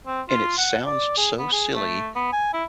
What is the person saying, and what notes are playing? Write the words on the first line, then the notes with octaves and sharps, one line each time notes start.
And it sounds so silly,
C4
F4
F#5
D5
G#4
B3
G#4
A3
B3
G#5
E4